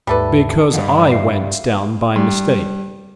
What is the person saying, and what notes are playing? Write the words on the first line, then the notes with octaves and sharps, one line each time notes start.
"Because I went down by mistake."
D#2 G#2 G3 A4 B4 E5
E2 G2 D#5 F5 F#5
E5 F5 C7
G2